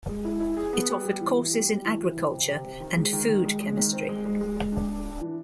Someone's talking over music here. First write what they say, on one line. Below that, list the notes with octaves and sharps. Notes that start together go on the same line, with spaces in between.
It offered courses in agriculture and food chemistry.
G#3
E4
E4
G#4
B3
G3
G3
E3
E3
G3
G3
E3
E3
C3
C3
C3
C3
D#3
G#3
D#3
D#3
G#3
G#3
D#3
C4
G#3
G#3
G#3
G#3
D4
D4
D4
E3